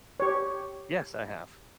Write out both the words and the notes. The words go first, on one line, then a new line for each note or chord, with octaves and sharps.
Yes, I have.
G4 C#5